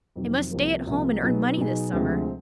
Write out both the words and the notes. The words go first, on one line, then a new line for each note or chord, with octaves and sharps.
I must stay at home and earn money this summer.
F2 C3 D#3 F#3
C2 C3 F3 A#3
C2 C3 F3 A#3
B2 F#3 B3 D#4 G#4
B2 F#3 B3 D#4 G#4
D2 C3 F3 G#3 C4